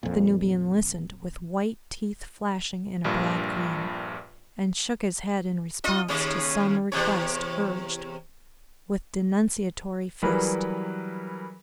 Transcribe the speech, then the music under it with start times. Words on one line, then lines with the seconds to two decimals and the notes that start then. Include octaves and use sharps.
The Nubian listened with white teeth flashing in a broad grin, and shook his head in response to some request urged with denunciatory fist.
0.03 F2 A#2
3.04 A#1 G2 A#2
5.84 F4 D#5
6.08 D#2 C#3 C#4
6.92 E2 C3 C#5
10.22 E3 F#3 G3 G#4 A#4 B4